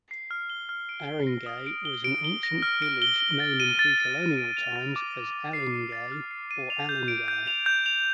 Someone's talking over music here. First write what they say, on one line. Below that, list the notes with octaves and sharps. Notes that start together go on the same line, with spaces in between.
Aringay was an ancient village known in pre-colonial times as "Alingay" or "Alinguey".
C7
F6
G7
F6
D7
G7
A#6
D#6
D7
G7
D7
G7
A#6
F6
D7
G7
G7
A6
D#7
A6
G7
A6
D7
F7
A6
D6
D7
F7
C7
D#7
A6
F6
C7
D#7
F7
G6
D7
G6
F7
G6
F7